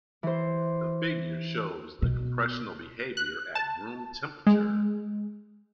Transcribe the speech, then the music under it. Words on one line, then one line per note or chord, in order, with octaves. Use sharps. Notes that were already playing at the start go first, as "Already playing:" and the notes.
The figure shows the compressional behaviour at room temperature.
E3 C5
B2
F#6
A5
G#3